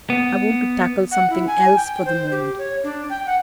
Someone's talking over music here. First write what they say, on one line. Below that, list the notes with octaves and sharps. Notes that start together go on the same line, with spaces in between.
I want to tackle something else for the moment.
B3
F#5
E4
G#5
G5
C5
G4
C#5
D4
G5
F#5